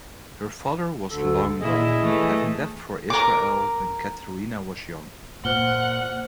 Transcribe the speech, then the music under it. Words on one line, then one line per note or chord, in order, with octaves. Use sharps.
Her father was long gone having left for Israel when Katherina was young.
D2 D3 A4
A#2 E4 G#4 D#5
E3 A3
A#4 D6
A#2 C5 F#5 F6 G7